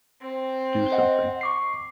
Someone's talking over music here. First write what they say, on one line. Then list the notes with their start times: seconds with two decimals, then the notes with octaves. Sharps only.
Do something!
0.22 C4
0.92 C5 D#5 F#5
1.41 C#6 D6 C7